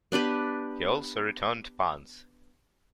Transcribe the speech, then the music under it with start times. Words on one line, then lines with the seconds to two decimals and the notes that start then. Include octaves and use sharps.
He also returned punts.
0.12 B3 D4 G4 B4